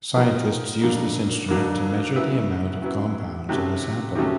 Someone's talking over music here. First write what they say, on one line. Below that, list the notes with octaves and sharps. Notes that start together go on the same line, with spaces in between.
Scientists use this instrument to measure the amount of compounds in a sample.
F3 A#3 D#4 G4 A#4
F2 D3 F#3 A#3
F2 D3 F#3 A#3
C#3 F#3 B3 E4
C#3 F#3 B3 E4
C3 D#3 F#3 A3 C#4
C3 D#3 F#3 A3 C#4